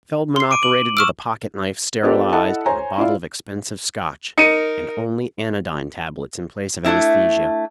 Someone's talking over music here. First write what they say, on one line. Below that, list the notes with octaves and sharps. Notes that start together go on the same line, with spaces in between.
Feldman operated with a pocketknife sterilized in a bottle of expensive Scotch and only anodyne tablets in place of anesthesia.
C6 C7
D6 D7 D#7
F#7
C#6 E6 F6 D7 E7
B3 D4 F4 G4 A4 A#4
E4 A4 D#5 F#5 A5
C5 C#5 G#5 A#5
E4 F4 D5 F5
D#4 A#4 C#7 D#7
A3 D4 E4 E5